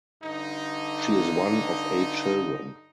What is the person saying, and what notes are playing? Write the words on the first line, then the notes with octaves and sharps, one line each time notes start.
She is one of eight children.
G2 D3 D#4